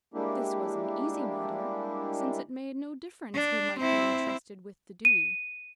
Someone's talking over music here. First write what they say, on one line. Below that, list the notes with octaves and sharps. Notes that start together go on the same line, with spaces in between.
This was an easy matter, since it made no difference who might be entrusted with the duty.
G3 G#3 A#3 D4 E4 G4
D4
C4 E4
D#7